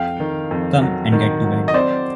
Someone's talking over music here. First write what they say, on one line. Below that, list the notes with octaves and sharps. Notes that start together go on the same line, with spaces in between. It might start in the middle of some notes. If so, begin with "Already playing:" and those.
Come and get to bed.
Already playing: F2 F5 G5
D#3
F2
F#3
D#3
F#3
D#5
C4 C5 D5